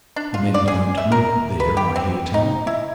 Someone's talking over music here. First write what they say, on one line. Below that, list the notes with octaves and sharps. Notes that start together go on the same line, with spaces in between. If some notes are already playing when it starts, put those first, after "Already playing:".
The men don't milk there, I hear tell.
D4
F4
D5
G#4
E5
A#4
B4
G4
C4
D#4
E4